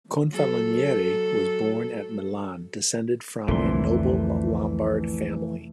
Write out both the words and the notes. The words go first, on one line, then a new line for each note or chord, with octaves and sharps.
Confalonieri was born at Milan, descended from a noble Lombard family.
F#3 A4
C2 F2 A#2 D3 E3 A3 C6